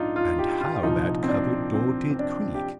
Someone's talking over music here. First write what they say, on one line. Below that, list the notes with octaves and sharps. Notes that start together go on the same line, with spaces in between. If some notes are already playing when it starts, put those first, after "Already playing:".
And how that cupboard-door did creak!
Already playing: A#1 G#2 D4 D#4 F4
F4
G4
F4
C2 A#2 F3 D#4
C4
D4
C4
C4
D4
G4